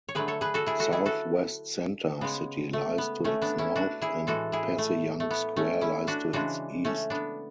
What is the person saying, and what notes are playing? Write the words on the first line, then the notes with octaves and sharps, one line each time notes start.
Southwest Center City lies to its north, and Passyunk Square lies to its east.
C#5
D3 F#3 A3 G#4 B4
A4 C#5
G#4 B4
F#4 A4
E4 G#4
F#4 A4
E4 G#4
F#4 A4
C#3 G#3 B3
A3
B3
A3 C#4
B3 D4
C#4 E4
D4 F#4
E4 G#4
A2 E3 G#3 F#4 A4
E4 G#4
A3
A3
B3
A3 C#4
C#4 E4
D4 F#4
C#3 E3 G#3 D4 F#4
A3 C#4
B3 D4